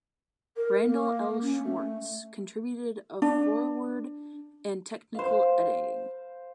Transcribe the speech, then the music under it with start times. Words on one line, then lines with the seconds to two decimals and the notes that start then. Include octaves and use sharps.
Randal L. Schwartz contributed a foreword and technical editing.
0.57 A#4
0.85 A#3
1.41 C#4
1.62 A3
3.22 D4
5.15 C5 F5